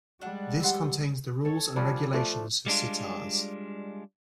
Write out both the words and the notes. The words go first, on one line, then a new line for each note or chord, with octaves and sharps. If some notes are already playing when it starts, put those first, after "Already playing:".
This contains the rules and regulations for Citars.
G3 G#3 D4 F#5
G4 F#5 C6 E6
A4 C#5
F3 G3 C#4 D4
F3 A3 D4
G3 G#3 D4 F4